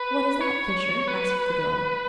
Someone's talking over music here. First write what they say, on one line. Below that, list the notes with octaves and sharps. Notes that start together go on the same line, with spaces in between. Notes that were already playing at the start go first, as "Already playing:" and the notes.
"What is that, Fisher!" asked the girl.
Already playing: B4
C#5
B4